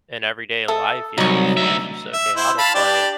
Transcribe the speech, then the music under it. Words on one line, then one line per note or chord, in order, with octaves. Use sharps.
in everyday life, you know, 'cause life's just so chaotic, but,
A4 E5 D#6
C2 F#3 D#4 C#6
D2 E5
E5
E4 C5
F5 A5 B5
D4 G4 D5